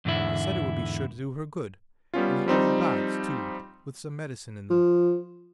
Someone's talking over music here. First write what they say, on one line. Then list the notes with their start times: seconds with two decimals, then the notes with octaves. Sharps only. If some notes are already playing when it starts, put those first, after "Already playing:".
He said it would be sure to do her good, and he ordered baths, too, with some medicine in them.
0.05 E2 G#2 D3 E4
2.14 G3 B3 C#4 F4
2.46 F3 G3 C4 D#4
4.70 F3